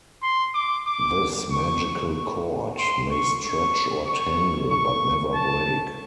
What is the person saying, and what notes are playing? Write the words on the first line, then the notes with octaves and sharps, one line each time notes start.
This magical cord may stretch or tangle, but never break.
C6
D6
D6
C#6
C6
C#6
C#6
C#6
C#6
A5